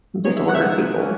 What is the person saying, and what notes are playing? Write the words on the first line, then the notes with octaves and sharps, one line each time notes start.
disorder people,
E3 G#3 D#4 C#5
E5
F#5
E5
B2 G#3 D#4 F#5
A#2 A#3 C#4